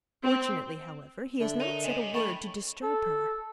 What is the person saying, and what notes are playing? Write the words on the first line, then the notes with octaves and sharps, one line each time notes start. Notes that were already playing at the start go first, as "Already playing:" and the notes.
Fortunately, however, he has not said a word to disturb her.
C4
D3 E5
D#4 A#4 C#5
C3 C#5 D#5 G#5
E3 A3 G5 B5 C#6
A4